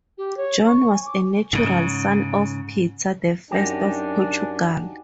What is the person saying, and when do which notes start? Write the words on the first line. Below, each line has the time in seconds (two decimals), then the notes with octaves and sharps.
John was a natural son of Peter the First of Portugal.
0.18 G4
0.37 C#5
0.67 C#6
0.93 G#5
1.06 D6
1.53 G#2 C#3
3.51 F#2 D4 D#4 F#4 G4 G#5